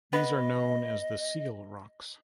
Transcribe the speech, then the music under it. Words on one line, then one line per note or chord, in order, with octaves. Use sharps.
These are known as the Seal Rocks.
B3 B4 D#5